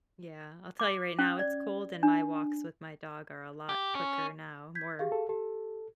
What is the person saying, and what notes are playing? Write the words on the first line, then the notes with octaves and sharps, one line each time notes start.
Yeah, I'll tell you right now, it's cold, and my walks with my dog are a lot quicker now, more
D6
C#4
D5
D4
G4
C#4
G6 G#6 B6
G4 G#4 F5
A4
G4 A4